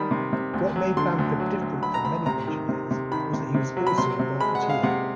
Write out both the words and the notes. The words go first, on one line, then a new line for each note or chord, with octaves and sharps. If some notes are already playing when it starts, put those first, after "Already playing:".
What made Bamford different from many engineers was that he was also a marketeer.
Already playing: D#3 G3 B5
C3
C3
D2
F#3
D3 C6
D2
F#3
D2
F#3 B5
A#5
D2 B5
C3 A#5
D#3
C3
C3
D#3 B5
C3
C3
F#3
B5
C3 C6
C3
G#3 B5
F#5
G#3
F5
C3 F#5